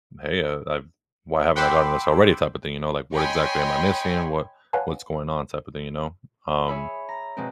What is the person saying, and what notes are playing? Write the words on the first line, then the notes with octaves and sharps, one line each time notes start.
hey, I I've why haven't I gotten this already type of thing, you know? Like, what exactly am I missing? What what's going on type of thing, you know? Um
F#5 G5 B5 C6 D6 E6
C#5 D#5 G5 G#5 B5 C6
B4 C#5 F5 F#5 G#5 A5
G#4 C#5 E5 B5
A#5
B2 G#3 C4